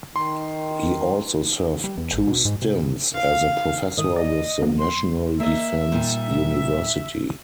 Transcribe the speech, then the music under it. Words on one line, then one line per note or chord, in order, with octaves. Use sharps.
He also served two stints as a professor with the National Defense University.
D#3 C6
G3
E2
A1
B2
G#2
C3
F5
G#2 D#3 E3 D#6
D5 D#5
F2 A#3 B3
C6
A#3 D#5 E5
A#2 G3 D#4